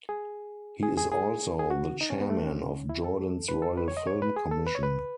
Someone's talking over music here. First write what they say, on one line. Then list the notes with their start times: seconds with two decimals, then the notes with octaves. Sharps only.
He is also the chairman of Jordan's Royal Film Commission.
0.09 G#4
0.83 G#4
0.97 G#4
1.12 G#4
1.59 G#4
1.70 F#4
2.01 D#4
2.10 C#4
2.21 B3
2.30 A3
2.45 C#4
2.89 E4
3.04 A4
3.48 B4
3.62 A4
3.77 B4
3.88 C#5
3.97 D#5
4.07 C#5
4.22 B4
4.36 G#4
4.51 A4
4.67 B4
4.75 C#5
4.83 B4